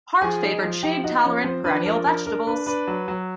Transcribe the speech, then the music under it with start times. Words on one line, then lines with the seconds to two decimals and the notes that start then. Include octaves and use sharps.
Hart favoured shade tolerant perennial vegetables.
0.22 F3 G#4 G#5
0.43 D#4
0.63 F3
0.83 F3 G4 G5
1.04 D#4 F#4 F#5
1.24 F3 C#4 C#5
1.44 F3 C4 C5
1.64 D4 B4
1.86 F3 A#4
2.06 D4 A#4
2.26 D4 A#4
2.47 D4 B4
2.66 D4 B4
2.87 F#3
3.08 F#3